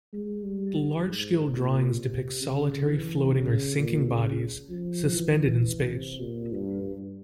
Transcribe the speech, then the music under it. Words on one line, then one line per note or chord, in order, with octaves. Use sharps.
The large-scale drawings depict solitary floating or sinking bodies, suspended in space.
G#3
G3
G#2
A#2
C3
C#3
E3
C#3
A#2
C#3
F3
E3
E3
C3
A#2
G2
G2